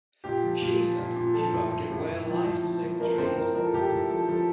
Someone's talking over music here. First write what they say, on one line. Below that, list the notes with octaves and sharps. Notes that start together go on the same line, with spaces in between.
She said that she would rather give away her life to save the trees.
A#2 G4
F3
A#2
F3
A#2
A#2
F3 A4
A2
A2
A2
A2
F3
A2
F3
F3
F3 A#3 A#4
A2 C4 C5
A2 A#3 A#4
F3 A#4
A4
A2 G4
A4
A2
F3 A4
F3 A4